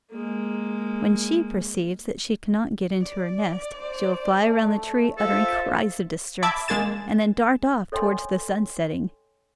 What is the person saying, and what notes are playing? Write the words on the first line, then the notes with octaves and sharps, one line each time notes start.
When she perceives that she cannot get into her nest she will fly round the tree uttering cries of distress, and then dart off towards the sun-setting.
G#3 A#3
D5
C5
A3
F4 A4 C5 E5
E5 A5 B5 D6 G#6
G#3 A#3 G#4 G#6 A6 E7
A4 C#5 D#5 G5 G#5 C6